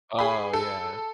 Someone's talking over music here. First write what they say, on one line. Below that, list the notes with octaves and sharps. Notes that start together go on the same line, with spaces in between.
Oh, yeah.
G#4 B5
A4